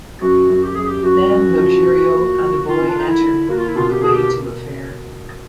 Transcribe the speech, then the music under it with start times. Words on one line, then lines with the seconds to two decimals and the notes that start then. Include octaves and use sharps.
Then Luxurio and a boy enter, on the way to a fair.
0.22 F#2 F#4
0.49 F#2
0.62 G4
0.74 F#2 G#4
0.86 G4
1.03 F#2 F#4
1.31 F#2
1.58 F3
1.86 D#2
2.13 A#3
2.39 F3
2.60 F#4
2.67 D3 F4
2.77 C#4
2.87 D4
2.93 D3 D#4
3.08 E4
3.21 D3
3.48 A#3 F#4
3.58 F4
3.67 E4
3.75 B2 F4
3.90 G4
4.01 B2 G#4
4.12 G4
4.30 B2